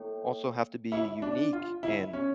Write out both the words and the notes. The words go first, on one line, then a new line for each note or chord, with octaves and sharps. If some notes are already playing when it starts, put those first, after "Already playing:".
also have to be unique, and
Already playing: A#3 E4 A4 C#5 G5
E4
D4
F4
E4
C#4